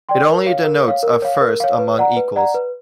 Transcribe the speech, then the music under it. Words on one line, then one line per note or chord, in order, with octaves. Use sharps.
It only denotes a first among equals.
D5 G5 C6
A#4
C#5 F5
A#4
C#5 F5
A#4
C#5 F5
A#4
C#5 F5
B4
D5 F#5 A#5
B4
D5 F#5 A#5
B4